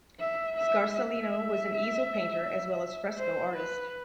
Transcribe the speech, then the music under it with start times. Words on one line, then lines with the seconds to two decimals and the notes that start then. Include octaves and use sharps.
Scarsellino was an easel painter as well as a fresco artist.
0.20 E5
0.57 E5
0.94 E5
3.18 C5
3.56 B4